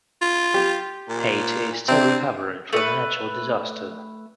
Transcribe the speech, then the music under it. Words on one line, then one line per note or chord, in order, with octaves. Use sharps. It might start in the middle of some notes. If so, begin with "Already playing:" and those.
Haiti is still recovering from a natural disaster.
F4
G4
A#2
C3 C4 D4
A3 B4